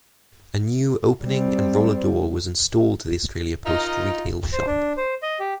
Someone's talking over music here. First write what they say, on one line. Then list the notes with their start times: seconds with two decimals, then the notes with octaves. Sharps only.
A new opening and roller door was installed to the Australia Post retail shop.
1.24 G3 C4
3.66 D#4 F4 A#4 D#5 F5
4.53 C5
4.66 D4
4.97 C5
5.23 D#5
5.39 G4